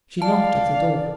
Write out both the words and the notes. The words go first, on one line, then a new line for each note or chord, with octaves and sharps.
She knocked at the door.
D5 F5 A5